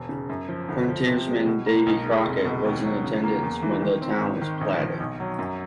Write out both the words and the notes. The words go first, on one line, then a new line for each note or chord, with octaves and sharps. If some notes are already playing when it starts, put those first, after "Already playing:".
Frontiersman Davy Crockett was in attendance when the town was platted.
Already playing: E1
C#3
F#2
F3
D2
F3
C3
G#3
B2
A#3
B1
G#3
F1
B2
D#2
F#3
C#3
A#3
E2
E3
D#3
C4
G#1
D#3
A#1
F3
B1
F#3
F#2